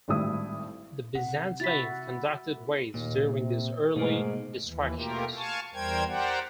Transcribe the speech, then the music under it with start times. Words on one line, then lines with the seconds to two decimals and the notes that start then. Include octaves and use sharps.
The Byzantines conducted raids during these early distractions.
0.08 G#1 A2 G3 E4 D#6
1.15 C3 F#5
1.60 E4 F#4 A6 B6
2.94 D#2 A#2
3.30 C3
3.96 G#2 B2 A3 A#3
4.63 D#2 E3
4.96 B2 A3 A#3 F4 G4 A#4
5.36 F5 G#5 A5 C#6
5.73 E2 G3 A#4 C5 G5 G#6
6.08 G4 A#4 C5 D5 F#5 G5